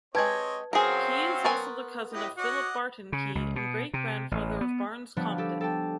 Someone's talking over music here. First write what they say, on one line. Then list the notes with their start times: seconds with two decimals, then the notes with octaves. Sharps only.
Key is also the cousin of Philip Barton Key and great-grandfather of Barnes Compton.
0.15 G#3 C4 G4 B4 C#5 D#5 A5 G#6
0.73 F#3 C4 C#4 G#4 A#4 F5
1.44 B3 A#4 G#5 C6 C#6 A6
2.13 A2 G4 B4 D#5
2.37 F#4 C#5 D#5 F#5 D6
3.12 C#3
3.35 C#2
3.56 B2
3.94 C3
4.31 A1
4.61 B3
5.16 F3 G3 B3 D4 C#5
5.38 G4 A4
5.61 A4 G5 A5